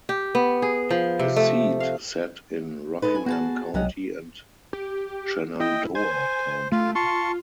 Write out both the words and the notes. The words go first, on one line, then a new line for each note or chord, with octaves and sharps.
His seat sat in Rockingham County and Shenandoah County.
G4
B3
G#4
F3
C3
A3
F5
G#3 D#4 A4 B4
G#5
B3 F#4 G#4 A5
B1 C3 F#3 C#4 D#5 F#5
G4
E4 D#5 G5
C5 G#5
A3 F4
F4 A5 C6 C#6